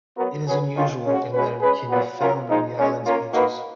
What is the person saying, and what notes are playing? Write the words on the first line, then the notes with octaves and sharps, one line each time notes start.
It is unusual in that it can be found on the islands' beaches.
F#3 B3 F#4 A#4
F#3 C#4 G#4 B4
D#3 F#3 C#4 F4
C#3 G#3 C#4 F#4
G#3 C#4 F#4 B4
G#3 C#4 G#4 B4
A#2 F#3 B3 F#4 B4
F#3 C#4 F4 A#4
F3 G#3 D#4
A#2 G#3 C#4
A#3 C#4 F4 A#4
A#3 D#4 F#4 B4